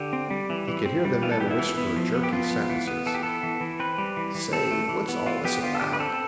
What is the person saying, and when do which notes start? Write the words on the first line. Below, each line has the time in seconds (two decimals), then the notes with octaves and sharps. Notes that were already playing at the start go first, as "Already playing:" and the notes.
He could hear the men whisper jerky sentences: "Say--what's all this--about?"
Already playing: D3 G4
0.13 C4
0.30 G3
0.50 E3
0.68 E3
0.86 C4
1.05 G3
1.22 E3 F4
1.32 A4
1.40 B3 G4
1.51 E4
1.59 E3
1.78 B3
1.96 F3
2.14 B3
2.23 G4
2.32 F3 F4
2.51 B3
2.70 E3
2.87 B3
3.06 E3 A4
3.15 G4
3.23 B3 A4
3.43 E3
3.61 E3
3.79 C4 B4
3.98 G3
4.17 E3
4.35 E3
4.53 C4 A4
4.71 A3
4.89 E3
5.09 B3
5.26 E3 F4
5.45 B3 G4
5.62 D3 F4
5.75 A4
5.81 D3 G4
5.93 B4
5.99 C4 A4